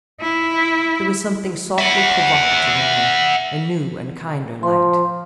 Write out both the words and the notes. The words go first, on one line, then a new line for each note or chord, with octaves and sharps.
There was something softly provocative in them--a new and kinder light.
E4
E5 F#5
F3 C6